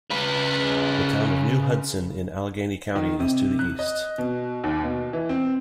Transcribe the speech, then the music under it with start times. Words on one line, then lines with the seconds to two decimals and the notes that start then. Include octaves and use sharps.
The town of New Hudson in Allegany County is to the east.
0.10 C#3 B4
2.95 D#3
3.20 C3
3.59 F#6
3.79 D#5
4.18 B2
4.64 D#2
4.83 B2
5.13 E3
5.29 C4